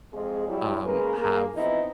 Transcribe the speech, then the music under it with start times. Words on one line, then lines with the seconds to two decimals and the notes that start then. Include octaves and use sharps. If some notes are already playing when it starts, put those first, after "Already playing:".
um, have
0.13 F2 G#3 G#4
0.48 F#3 G3 E4
0.85 C#3 G#3 A#3 G#4 B4
1.18 A#3 G#4
1.55 E3 F3 B3 C4 D#4 E4